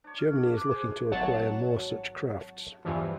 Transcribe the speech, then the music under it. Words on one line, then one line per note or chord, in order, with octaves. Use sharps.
Germany is looking to acquire more such crafts.
D4 C#5
F6
D5
D6 F#6
G#4 C5 G#5
G#1 F#3 C#5 F#5 A5
E2 G2 E3 F3